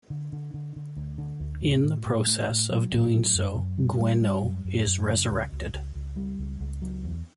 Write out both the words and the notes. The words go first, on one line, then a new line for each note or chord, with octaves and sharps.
In the process of doing so, Gwenno is resurrected.
D3
D3
D3
D3
D2
D3
D2
A2
A2
A2
A3
A2
F#3
A2
F#3
F#2
F#2
G3
G3
G3
F#2
F#2
F#2
C#3
C#2
C#2
C#2
C#2
G3
C#2
C#2
F#3
E2